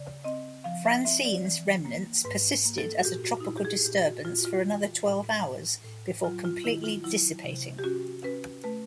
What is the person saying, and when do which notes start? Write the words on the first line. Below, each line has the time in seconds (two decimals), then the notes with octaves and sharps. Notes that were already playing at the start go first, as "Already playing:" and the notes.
Francene's remnants persisted as a tropical disturbance for another twelve hours, before completely dissipating.
Already playing: C#3 D5
0.24 C4 D#5
0.64 F3 F5
0.85 E5
1.05 C4 E5
1.25 D5
1.45 E3
1.85 A#3
2.24 G#2 B4
2.65 A#3
2.78 A4
3.00 F#4
3.05 A#2 G4
3.24 F#4
3.40 D#4
3.45 A#2 E4
3.57 G4
3.65 G#4
3.85 A#2 G4
4.05 F#4
4.25 A#2 F4
4.39 F#4
4.45 F4
4.64 E3
5.04 A2
5.45 A2
5.84 A2
6.24 F#3 F4
6.44 F4
6.64 D#3 E4
6.84 F4
7.04 F#3 E4
7.44 C3
7.79 G4
7.84 C#4 F#4
8.24 C#4 B4
8.64 A3 B4